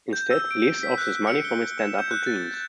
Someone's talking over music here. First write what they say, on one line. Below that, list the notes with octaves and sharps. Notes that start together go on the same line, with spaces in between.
Instead, he lives off his money from his stand-up routines.
G6
E6
D7
B6
F#6
C#7
G7
E7
G6
F#6
A6
G6